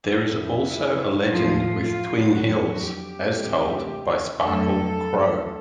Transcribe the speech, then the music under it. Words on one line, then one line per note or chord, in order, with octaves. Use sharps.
There is also a legend with Twin Hills as told by Sparkle Crowe.
F2 D3 F3 A3 E4
A2 F3 A3 F4
F4
F2 D3 F#3 F#4
G4
D2 C3 E3 G#3
F2 D3 F#3 A3 A4